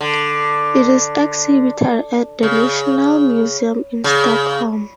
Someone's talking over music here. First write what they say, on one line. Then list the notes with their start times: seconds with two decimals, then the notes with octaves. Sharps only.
It is exhibited at the Nationalmuseum in Stockholm.
0.01 D3
2.43 C#3
4.04 C#3